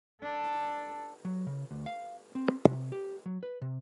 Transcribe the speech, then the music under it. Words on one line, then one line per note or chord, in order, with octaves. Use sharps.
During the competition, it was known as "Herning Stadion".
D4 A4
F#3
C#3
D2
F5
C4
C3
G4
F#3
B4
C3